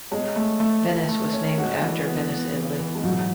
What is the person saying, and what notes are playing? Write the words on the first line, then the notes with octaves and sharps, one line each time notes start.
Venice was named after Venice, Italy.
G#3 C#4
A3
A3
A3
A3
C#4
G#3 F#4
E3
B3
B3
E3
E3
G#3
G#2 F#3